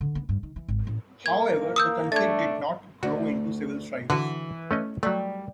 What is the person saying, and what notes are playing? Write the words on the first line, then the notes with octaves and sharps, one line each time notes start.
However, the conflict did not grow into civil strife.
D3
B3
G2
D#3
E3
G#1
A1
A#3 G#6
D#6 E6 G6
A3 D4 G#6 A6
D2 F#4
D3 E3 F#4
A3 C#4 D#5
F#3 G3 A3